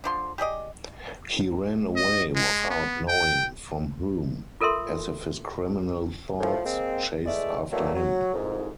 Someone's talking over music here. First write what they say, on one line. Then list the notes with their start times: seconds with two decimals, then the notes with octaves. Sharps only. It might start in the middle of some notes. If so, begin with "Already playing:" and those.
He ran away without knowing from whom, as if his criminal thoughts chased after him.
0.04 D3 F3 C6
0.38 G4 G#4 D5 D#5
1.96 D#5
2.35 G#3
2.70 B3
3.08 G5
4.61 F4 A4 A#4 E5 C6
6.41 A2 F3
6.64 G#3 A#3 C4
7.26 E2 G#3 A3 D5 E5
7.72 E3 F#3 G3 A3 A#3
7.94 F#3
8.34 C2 F2 G#2